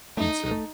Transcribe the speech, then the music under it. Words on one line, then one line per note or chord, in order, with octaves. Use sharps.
You too.
A3 D#4
A3